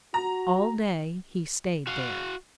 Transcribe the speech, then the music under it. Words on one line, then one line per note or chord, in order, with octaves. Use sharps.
All day he stayed there.
F#4 A#5
F#4 F5